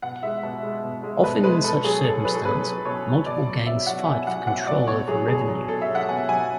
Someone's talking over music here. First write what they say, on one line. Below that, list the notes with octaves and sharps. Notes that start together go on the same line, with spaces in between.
Often in such circumstance, multiple gangs fight for control over revenue.
B2 F#5
G#3 E5
B2
G#3
B2
G#3
B2 B4
G#3 B4
B2 A4
F#3 G#4
B2 A4
F#3 B4
A4
B2 B4
F#3
B2 C#5
F#3
B2 D5
F#3
B2 E5
F#3 F#5
B2 G#5
F#3 F#5
B2 F#5
F#3 D5
B2 C#5
F#3 G#4
B2 G#4
F#3
B2 A4
E5
F#3
F#5
B2 G#5
F#3 G#5